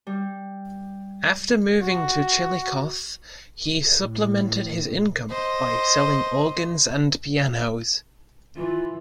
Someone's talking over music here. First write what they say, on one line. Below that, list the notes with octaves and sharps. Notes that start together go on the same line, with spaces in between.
After moving to Chillicothe, he supplemented his income by selling organs and pianos.
G3
F#4
A2
C5 D#5
E3 F4